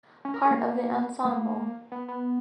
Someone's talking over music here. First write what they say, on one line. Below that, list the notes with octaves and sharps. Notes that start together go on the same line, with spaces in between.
Part of the ensemble.
C#4
A#4
G#4
A#3
A#3
B3
B3